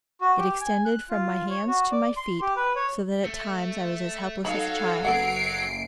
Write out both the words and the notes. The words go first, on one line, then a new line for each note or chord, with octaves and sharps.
It extended from my hands to my feet so that at times I was as helpless as a child.
F#4
G4
G#5
F#6
F4
C#5
F#4
D5
C6
G4
B4
C#5
A3
F#3 D#4 A4 F5 B5
F#1 B3 A4 F#5 C7 D7